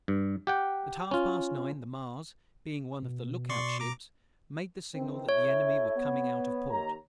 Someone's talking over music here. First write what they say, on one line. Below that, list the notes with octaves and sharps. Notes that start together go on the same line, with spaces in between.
At half past nine the Mars, being one of the look-out ships, made the signal that the Enemy were coming out of port.
G2
G4 F#5 G5
C#4 F4
B2
D5 C6 C#6
A#5 D6
D#3 E3 C4
E4 A4 C#5 E5
B3
D#2 A#5